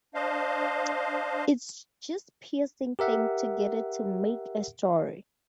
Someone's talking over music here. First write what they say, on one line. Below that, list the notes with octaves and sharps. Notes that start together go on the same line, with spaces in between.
It's just piecing things together to make a story.
D4 C5 D#5 F5
G4 A#4 E5 F#5